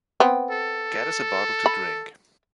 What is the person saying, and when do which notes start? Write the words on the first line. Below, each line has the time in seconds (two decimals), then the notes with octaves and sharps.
Get us a bottle to drink.
0.20 B3 C4
0.51 A4
1.66 B5